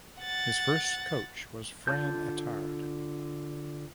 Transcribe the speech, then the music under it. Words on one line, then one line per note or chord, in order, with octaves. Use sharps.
His first coach was Fran Attard.
F#5 A6
D3 F4 D5 A5 G6